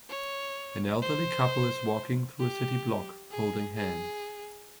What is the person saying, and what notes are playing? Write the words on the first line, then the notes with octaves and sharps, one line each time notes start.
An elderly couple is walking through a city block, holding hands.
C#5
C5
G4
G#4
G#4